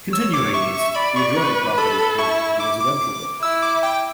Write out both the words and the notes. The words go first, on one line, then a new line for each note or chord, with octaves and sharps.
Continuing east, the adjoining properties transition to residential buildings.
C#5 E6
D6
E5 C#6
C#6
D5 B5
C#6
B4
A4 B5
E4 C#6
D6
D6
E4 E6
D6
G5